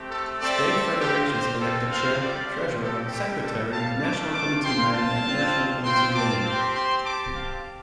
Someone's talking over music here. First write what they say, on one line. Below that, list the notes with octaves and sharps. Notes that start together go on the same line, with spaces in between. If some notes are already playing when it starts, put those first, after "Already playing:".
State Federations elect a Chair, Treasurer, Secretary, National Committee Man and National Committee Woman.
Already playing: A3 C4 G4
A4
A3 C4 G4 A4 D5
A4
C4 F4 G4
G4 C5
C4 F4 A4
C5 F5
G3 F4 A4 D5
G4 C5
G3 C4 G4 A4
G4
G3 F4 A4
F5 A5
A3 F4 A5 D6
A5 D6
C4 F4 G5 C6
F5 A5
C4 F4
C4 F4 G5 C6
A5 D6
C4 G4 G5 C6
G5 C6
C4 G4 A5 D6
F5 A5